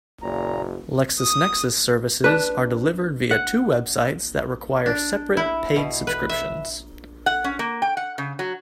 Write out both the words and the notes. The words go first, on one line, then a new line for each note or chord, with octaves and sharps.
LexisNexis services are delivered via two websites that require separate paid subscriptions.
F#1 A#2 A#5
D#6
D4 B4
F#5
D4
E4
B2
B4
E5
F#5
C#4
A#3
G5
F#5
C#3
F#3